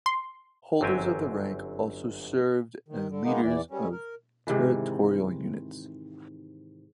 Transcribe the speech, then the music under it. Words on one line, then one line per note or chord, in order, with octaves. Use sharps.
Holders of the rank also served as leaders of territorial units.
C6
G1 F#2 F#3 C4 G4 G#5
D#3
D3
D#3 G#3 A#3 B3 D#4
E2 E3 D5
G3 C#4
A#4
G#2 C3 D#3 E3